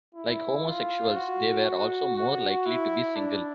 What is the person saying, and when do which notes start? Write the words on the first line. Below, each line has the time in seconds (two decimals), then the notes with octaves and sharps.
Like homosexuals, they were also more likely to be single.
0.15 E4
0.66 F4
1.15 F#4
1.65 F#4
2.16 F#4
2.66 E4
3.16 D4